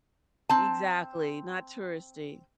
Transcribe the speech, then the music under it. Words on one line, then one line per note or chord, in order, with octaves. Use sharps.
Exactly, not touristy.
C4 A5